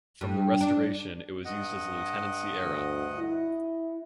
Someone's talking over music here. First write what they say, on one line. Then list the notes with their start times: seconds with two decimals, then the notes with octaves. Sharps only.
From the Restoration it was used as a Lieutenancy area.
0.21 G2
0.61 D4
1.45 G2 D#5 F#5
2.64 D2
3.20 E4